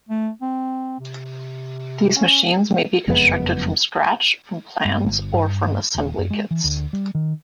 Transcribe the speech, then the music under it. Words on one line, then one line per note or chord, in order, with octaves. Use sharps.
These machines may be constructed "from scratch", from plans, or from assembly kits.
A3
C4
C3
C#4
F#1 F2 G#3 B3
G2
G1
G2
D#1
F#2
G#3
E3
D2
G3
D#3